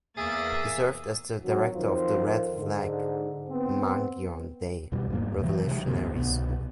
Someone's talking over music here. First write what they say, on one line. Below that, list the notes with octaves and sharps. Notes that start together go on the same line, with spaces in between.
He served as the director of the Red Flag Mangyongdae Revolutionary School.
E2 A#3 G#4 E5 A6
D#3 F#3 C4 F#4
F2 D#3 F4 C5
G#2 D3
B3 C4
E2 B2 G3
E2 G#2 A#3
C3 E3 F#3
C3 D#3 F3 G#3
D2 G2 C3 B3
C2 B2 B3